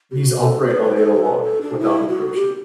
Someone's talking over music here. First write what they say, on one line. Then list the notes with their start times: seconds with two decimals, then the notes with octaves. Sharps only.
These operate on analogue, without encryption.
0.11 G4
0.15 F#4
0.40 B4
0.43 A4
0.67 D5
0.71 B4
0.96 A4
1.23 B4
1.42 A4
1.61 D4
1.80 E4
2.08 F#4
2.36 G4